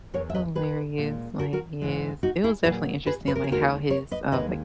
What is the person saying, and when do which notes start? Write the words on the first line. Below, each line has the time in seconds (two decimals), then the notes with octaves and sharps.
hilarious, like, yes, it was definitely interesting, like, how his, uh, like
0.13 E2 D#3 G#3 A#4 C#5
0.30 E5
0.34 B4 D#5
0.55 G#4 B4
0.98 A#2 G#3
1.39 F#4 A#4
1.53 F#4 A#4
1.81 G#2 E3 G#3
2.23 D#4 F#4
2.44 E4 G#4
2.64 A#2 F#3 G#4 B4
3.06 G#4 B4
3.28 B4
3.35 A#4
3.44 G#4
3.48 D#2 D#3 G#3 F#4 A#4
3.90 A#4 C#5
4.11 B4 D#5
4.32 D#2 D#3 G#3 B4 D#5